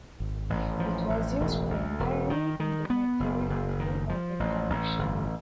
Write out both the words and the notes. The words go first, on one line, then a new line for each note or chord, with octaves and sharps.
It was used primarily in the Mediterranean Sea as a cargo ship.
G#1
A1
F3
A1
E1
D2
E1
D#3
D#3
B3
F#1
F#1
D#3
F3
A1
A1
G1